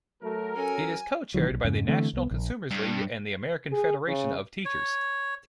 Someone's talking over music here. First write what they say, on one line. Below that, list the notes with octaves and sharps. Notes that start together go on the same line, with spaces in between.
It is co-chaired by the National Consumers League and the American Federation of Teachers.
F#3 A3 A#4
C#4 A4 G#5
A1 D#3 E3 F#3
B1
F2 G#2 C#3
D3 E3 A3 C4
C2 B3
A#1
G2
G#4
C#3
C#5